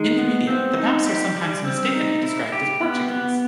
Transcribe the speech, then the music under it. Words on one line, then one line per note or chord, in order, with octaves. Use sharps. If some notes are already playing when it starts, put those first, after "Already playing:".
In the media, the maps are sometimes mistakenly described as Portuguese.
Already playing: D#3 G#3
B3
C4
D#4
G4
G3
C4
D#4
E4
G4
B3
B3